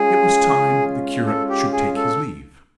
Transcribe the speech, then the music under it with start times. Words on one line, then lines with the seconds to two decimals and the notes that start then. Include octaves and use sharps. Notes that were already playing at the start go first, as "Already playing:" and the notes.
It was time the curate should take his leave.
Already playing: G#3 C#4 F4 G#4
1.26 A4
1.50 G4
1.72 G#4
1.96 A4